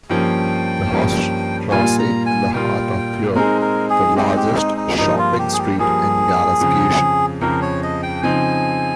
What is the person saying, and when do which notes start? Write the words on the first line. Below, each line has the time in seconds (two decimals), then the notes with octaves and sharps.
The Hochstrasse in the heart of Buer is the largest shopping street in Gelsenkirchen.
0.10 G2 F3 A#3 C#4 G5
0.91 G2 F3 A#3 C#4
1.72 A#2 G3 A#3 F4 G#5
1.99 A#5
2.26 G#5
2.54 A#2 G3 A#3 F4 G5
3.35 G#3 C4 D#4 G#4 A#4
3.61 A#4
3.90 G#4
4.16 G#3 C4 D#4 G4 G#4
4.37 G4
4.57 D#4
4.77 D#4
4.97 G2 F3 A#3 D#4
5.18 F4
5.39 G4
5.53 G#4
5.58 G4
5.79 G2 F3 A#3 G#4
6.60 F2 C#3 F3
7.41 F2 C#3 F3 A#4
7.62 C#5
7.83 D#5
8.03 G5
8.23 C#3 F3 C4 D#4 G#5